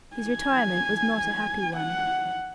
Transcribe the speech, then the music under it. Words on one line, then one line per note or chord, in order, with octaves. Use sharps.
His retirement was not a happy one.
G#5
F#5